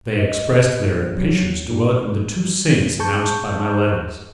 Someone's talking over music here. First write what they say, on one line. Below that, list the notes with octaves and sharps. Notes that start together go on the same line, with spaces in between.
They expressed their impatience to welcome the two saints announced by my letters.
D#5
A#1
F#3
A#2
G#4 A5 C#6 G6